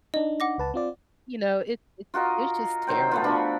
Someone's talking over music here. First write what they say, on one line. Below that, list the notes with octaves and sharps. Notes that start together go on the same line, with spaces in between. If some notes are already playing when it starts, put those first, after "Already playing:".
You know, it it's it's just terrible.
D4 D#4 D#5
F#5 D6 A#6
C#2 B4 A5
C4 F4 D5
F4 F#4 A#4 D#5
D#3 F#3 C5 G5
A3 B3 F4
F3 D4 F#4 B5